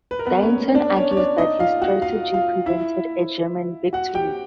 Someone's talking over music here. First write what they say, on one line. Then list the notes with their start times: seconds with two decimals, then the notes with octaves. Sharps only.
Deighton argues that his strategy prevented a German victory.
0.11 B4
0.19 A#4
0.26 B3 B4
0.43 C#4 C#5
0.74 D4 D5
0.96 C#4 C#5
1.12 C#5
1.17 D4 D5
1.38 D#4 D#5
1.59 F4 F5
1.82 F#4 F#5
2.02 F4 F5
2.34 F4 F5
2.66 E4 E5
3.93 F#4 F#5
4.15 G4 G5